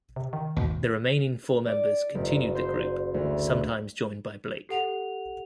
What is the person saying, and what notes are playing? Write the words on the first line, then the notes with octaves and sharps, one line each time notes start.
The remaining four members continued the group, sometimes joined by Blake.
C3
D#3
G#1 D#2 B2
D5
F#1
C5
D2
G4 A4 F#5 F7